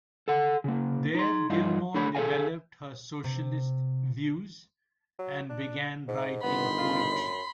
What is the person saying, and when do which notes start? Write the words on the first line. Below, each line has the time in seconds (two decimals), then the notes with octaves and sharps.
There Gilmore developed her socialist views and began writing poetry.
0.28 A4 F#5
0.64 C#3 A#3
1.15 D#4 C6
1.50 G2 D#4 F4
1.94 D3 A3 D4 C#5 B5
2.15 G#4 A4 B4 C#5 F5 G#5
3.24 C3
5.19 F#3
5.49 D4
6.08 G#2
6.43 G1 D#3 B3 D#4 B5 C6
6.78 F4
7.11 F#2